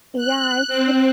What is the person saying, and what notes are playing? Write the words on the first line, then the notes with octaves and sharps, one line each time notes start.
Yeah, it's
F#6
C4